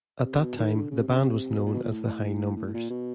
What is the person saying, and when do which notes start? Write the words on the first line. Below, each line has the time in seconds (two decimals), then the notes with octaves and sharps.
At that time the band was known as the High Numbers.
0.25 C3
0.41 B2
0.59 D#3
0.75 D3
0.91 C#3
0.99 C3
1.08 C#3
1.24 C3
1.58 B2
1.66 A#2
1.74 B2
1.83 A#2
1.90 A2
2.56 A2
2.67 A2
2.74 A#2
2.90 B2